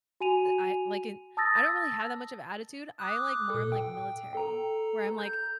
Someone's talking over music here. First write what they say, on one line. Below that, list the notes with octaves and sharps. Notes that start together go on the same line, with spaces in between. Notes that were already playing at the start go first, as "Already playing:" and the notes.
eh, I like it I don't really have that much of attitude, I like more I'm like military, where I'm like,
F#4 G#5 D#7 F7
A5 D#6 E6 A6 A#6
D6 D#6 F#6
A#2 A4
G5
A4 A#5
G6